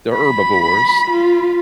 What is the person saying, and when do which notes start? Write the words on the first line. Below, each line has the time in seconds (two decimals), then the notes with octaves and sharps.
they're herbivores,
0.13 B5
1.11 F4